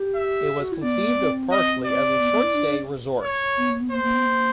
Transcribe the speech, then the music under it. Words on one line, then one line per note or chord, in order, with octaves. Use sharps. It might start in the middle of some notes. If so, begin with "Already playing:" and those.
It was conceived of partially as a short-stay resort.
Already playing: G4
E5
G#4
F#4
E4
B3 D5
A#3
B3
C4
D#5
D5
B3
B3
E4
D4
D4
C#4
C#5
B3
A#3
B3
A#3 C5
A#3
B3
A#3